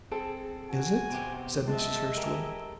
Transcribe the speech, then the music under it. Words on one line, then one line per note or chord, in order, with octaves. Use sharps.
"Is it?" said Mrs. Hurstwood.
C4 G#4 A4
F#4 G#5
B2 C4 G4
G#3 D#5 E5 A5
G4 A4 A#4 G#5